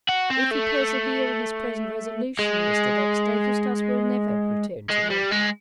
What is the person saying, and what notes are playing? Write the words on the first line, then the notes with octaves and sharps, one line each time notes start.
"If he persevere in his present resolution, Mr. Dexter, Eustace will never return to me."
F#4
C4
A3
G#3
G#3
G3
G#3